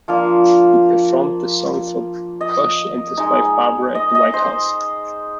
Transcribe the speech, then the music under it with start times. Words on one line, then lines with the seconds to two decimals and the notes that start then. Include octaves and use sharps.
He performed the song for Bush and his wife Barbara at the White House.
0.08 F3 A#3 D4 F4 F5
2.41 D#5
3.17 G#3 D#4
3.95 D#5
4.15 D#5
4.34 C5